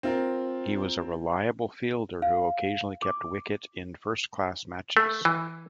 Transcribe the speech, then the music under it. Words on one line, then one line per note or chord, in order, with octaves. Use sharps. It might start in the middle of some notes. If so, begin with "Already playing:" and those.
He was a reliable fielder who occasionally kept wicket in first-class matches.
C4 F4 A#4
F5
D6
A3
E3